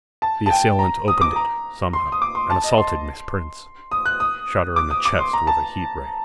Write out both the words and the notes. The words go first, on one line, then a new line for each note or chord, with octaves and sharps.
The assailant opened it somehow, and assaulted Miss Prince--shot her in the chest with a heat ray.
A5
A5
G5
A#5
D#6
D6
A#5
C6
D#6
D6
C6
A5
D#5
C6
D#6
F#6
D#6
D6
D#6
D6
C6
A#5
A5